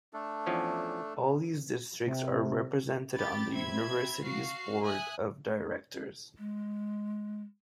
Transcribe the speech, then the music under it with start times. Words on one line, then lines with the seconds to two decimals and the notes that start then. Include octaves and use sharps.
All these districts are represented on the University's Board of Directors.
0.13 A3 D4 A4
0.46 E2 F3 C#4
2.07 C3
3.15 G4 B5 A6
3.53 C4 E5 B5 G#6
4.22 F#4 F5 C7
4.86 E5 G#5 D#6 F#6
6.38 G#3